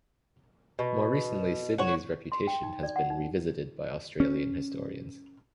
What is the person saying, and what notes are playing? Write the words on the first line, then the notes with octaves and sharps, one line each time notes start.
More recently Sydney's reputation has been revisited by Australian historians.
B2
F#4 C#5
C6
G5
D#4
D5
F#5
D#4
C#4